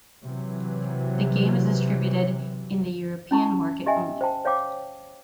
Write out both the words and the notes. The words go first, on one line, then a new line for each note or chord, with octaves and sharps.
The game is distributed in the European market only.
C3 E3 F#3
C#4 E4 A5 C#6
G4 D#5 E5 G5 G#5
C5 G5 A5
C5 C#5 F5 G5 D6